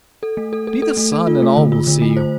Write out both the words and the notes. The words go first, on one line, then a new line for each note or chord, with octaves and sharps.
Be the sun and all will see you.
A4
A3
A4
A4
A4
A3
A4
F4
A3
D3
F4
D3
A3
C5